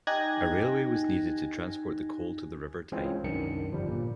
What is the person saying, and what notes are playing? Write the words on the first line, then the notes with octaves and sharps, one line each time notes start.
A railway was needed to transport the coal to the River Tyne.
D#4 G4 G#5 F#6 G#6 A#6
E3 G#3 C4 C#4 F4
C2 F#2 D#3 D4 C#7
G1 F3 G3
A#2